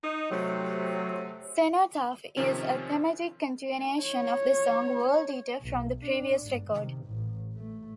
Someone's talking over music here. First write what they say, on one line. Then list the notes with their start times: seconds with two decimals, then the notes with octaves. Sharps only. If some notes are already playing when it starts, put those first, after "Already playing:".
"Cenotaph" is a thematic continuation of the song "World Eater" from the previous record.
0.03 D#4
0.31 C3 F#3 A3
2.37 C3 D#3 F3 C4 C#4
4.02 C#5
5.61 B1
6.05 D4
6.41 G1 G#2
6.70 C3 D#3
7.05 A1 A2
7.54 A2 A3